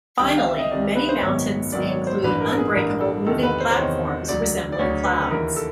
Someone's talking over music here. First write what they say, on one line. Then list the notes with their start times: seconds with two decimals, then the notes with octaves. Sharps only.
Finally, many mountains include unbreakable moving platforms resembling clouds.
0.19 C2 C3 D#3 G5
0.37 F5
0.49 E5
0.59 D#5
0.71 C2 C3 D#3 D5
0.96 B4
1.09 C5
1.21 G#1 F#2 D#3 F#3 B3 C#5
1.72 G#1 F#2 D#3 F#3 B3 D5
1.89 C#5
2.07 C5
2.23 A1 G2 E3 B4
2.40 A#4
2.58 G#4
2.75 A1 G2 E3 A#4
3.01 A4
3.27 E2 C3 D#3 A4
3.43 B4
3.60 C5
3.71 C5
3.76 E2 C3 D#3 C#5
4.29 D2 C#3 F#3 D5
4.72 D5
4.79 D2 C#3 F#3 C#5
5.04 B4
5.20 B4
5.31 D#2 C#3 E3 A#4
5.56 A4